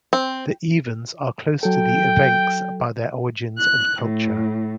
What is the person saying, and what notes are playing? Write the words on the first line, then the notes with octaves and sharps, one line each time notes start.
The Evens are close to the Evenks by their origins and culture.
C4
F#3 A4 G5
F#6
A2